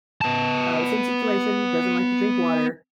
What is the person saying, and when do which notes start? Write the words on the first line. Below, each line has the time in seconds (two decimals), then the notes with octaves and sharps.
uh, same situation, doesn't like to drink water.
0.21 B3 A5